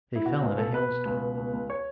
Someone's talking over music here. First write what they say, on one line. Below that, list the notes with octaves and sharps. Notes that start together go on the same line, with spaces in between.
They fell in a hailstorm.
E4
B2 F#4
C#2
B2 A4
B2 B4
B2
C#2
B2
C#2
C#2
C#5